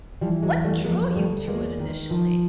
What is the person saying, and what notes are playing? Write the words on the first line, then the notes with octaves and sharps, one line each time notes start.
what drew you to it initially?
E3 F3 G3
F#3 G#3
E2
G3 A3
F3 G#3 A#3
D2 G3 A3
E2 G#3 A#3
D#3
F3